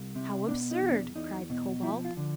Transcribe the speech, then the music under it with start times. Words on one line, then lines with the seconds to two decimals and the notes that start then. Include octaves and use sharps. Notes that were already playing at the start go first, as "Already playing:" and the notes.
"How absurd!" cried Cobalt.
Already playing: C2
0.15 C3
0.48 B2 D4
0.71 D#4
0.82 E2
0.93 D4
1.15 E2 D#4
1.50 B2
1.82 F3 E4
2.05 F4
2.17 D3